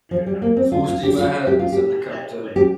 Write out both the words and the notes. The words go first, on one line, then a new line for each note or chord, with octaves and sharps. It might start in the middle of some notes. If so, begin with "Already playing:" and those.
"Full steam ahead," said the captain.
F3
G3
A#3
C4
F4
F4
G4
F4
G4
F4
G4
G4